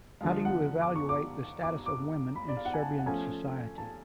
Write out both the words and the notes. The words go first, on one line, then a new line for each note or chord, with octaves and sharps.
How do you evaluate the status of women in Serbian society?
D3 F3 G#3 F5
F#5
D6
C#6
D6
D6
D6
B5
D5
F5
F#5
G#5
A5
F#5
F3 A3 C#4 G#5
A5